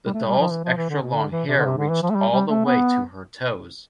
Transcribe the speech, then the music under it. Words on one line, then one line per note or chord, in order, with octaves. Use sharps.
The doll's extra-long hair reached all the way to her toes.
G3
A3
G3
F3
E3
F3
E3
D3
B2
D3
E3
C3
D3
C3
D3
E3
F3
A3
G3
G3
A3
B3